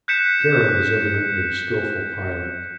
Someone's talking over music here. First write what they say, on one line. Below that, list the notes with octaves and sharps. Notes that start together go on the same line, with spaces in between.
Kara was evidently a skilful pilot.
F#6 G6 B6 C#7 E7